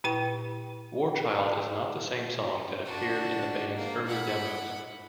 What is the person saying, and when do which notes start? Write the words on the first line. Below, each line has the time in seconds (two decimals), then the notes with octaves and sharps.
"Warchild" is not the same song that appeared in the band's early demos.
0.04 A#2 E4 B4 G5
2.85 D4 F#4
3.76 A#3
4.07 F#5 B5